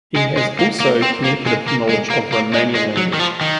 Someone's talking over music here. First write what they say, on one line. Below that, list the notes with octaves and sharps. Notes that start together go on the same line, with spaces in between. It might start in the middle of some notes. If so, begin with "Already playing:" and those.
He has also communicative knowledge of Romanian language.
G#3
G#3
A#3
A#3
C4
A#3
G#3
A#3
G#3
A#3
A#3
G#3
G#3
F#3
D#3
F3
D#3